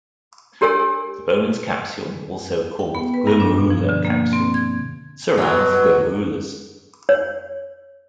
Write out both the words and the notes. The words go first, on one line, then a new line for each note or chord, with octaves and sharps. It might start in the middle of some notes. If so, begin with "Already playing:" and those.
The Bowman's capsule, also called the glomerular capsule, surrounds the glomerulus.
D4 G4 A#4 C#5 G#5 E6
G5
B3
B4
G2
D4
B2
F3
D3
A#3
C4
G#6
B2 F#3
C#5